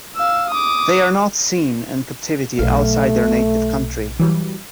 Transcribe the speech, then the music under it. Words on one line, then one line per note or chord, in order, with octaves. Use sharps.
They are not seen in captivity outside their native country.
F5 E6
D6 D#6
B1 A3 F5
E3 F#3 G3